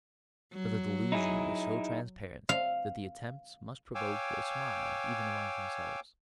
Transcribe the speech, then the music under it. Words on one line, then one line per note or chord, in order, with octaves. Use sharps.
But the delusion is so transparent that the attempt must provoke a smile even among themselves.
F#3
D#4 E4 G#4
F5
C#5 F5 G5 G#5 D6 E6